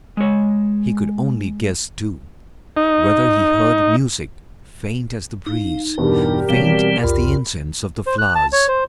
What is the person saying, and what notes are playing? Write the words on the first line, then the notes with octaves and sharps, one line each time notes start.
He could only guess, too, whether he heard music, faint as the breeze, faint as the incense of the flowers.
G#3 C#5
D#4
D#4 F5
E2 G2 B2 G4 A#4 D5
B2 E3 G3 C4 C#5 F5
C2 F2 F4 B5
C5
F#6
A5
C#5
C5